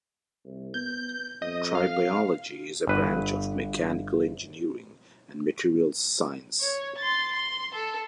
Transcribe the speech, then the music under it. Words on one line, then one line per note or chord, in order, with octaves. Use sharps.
Tribology is a branch of mechanical engineering and materials science.
C2
B3 G6
F2 D#5
F5
G1 B4
C#5
C6 A6
C6
A4